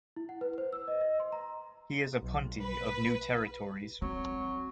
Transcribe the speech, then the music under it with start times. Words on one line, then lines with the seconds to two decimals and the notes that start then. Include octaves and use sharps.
He is a Punti of New Territories.
0.16 E4
0.29 F#5
0.41 B4
0.58 C5
0.73 E6
0.88 D#5
1.01 D#5
1.20 C6
1.32 A#5
2.22 B1
2.61 B4
4.02 F#3 C4